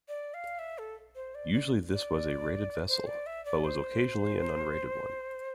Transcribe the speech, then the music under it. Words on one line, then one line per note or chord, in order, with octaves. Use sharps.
Usually this was a rated vessel, but was occasionally an unrated one.
D5
F5
E5
A4
C5
D5
D5
D5
C5
D5
E5
D5
C5